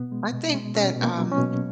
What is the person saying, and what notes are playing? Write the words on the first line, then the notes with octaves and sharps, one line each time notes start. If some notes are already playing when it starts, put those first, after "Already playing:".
I think that, um,
Already playing: B2 B3
G#3
B2
G#3
B2 C#4
B2
A#3
F#3
C#4
B2